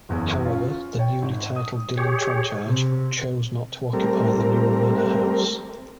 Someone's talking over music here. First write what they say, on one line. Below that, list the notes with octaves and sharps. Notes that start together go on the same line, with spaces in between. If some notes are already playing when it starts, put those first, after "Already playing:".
However, the newly titled Dillon-Trenchards chose not to occupy the newer manor house.
F#1 E2 C#3
C#4 F4
C#5 G5
G#1
D#6
G4 G#4 C#5
C3
G3 A3 C4 A#4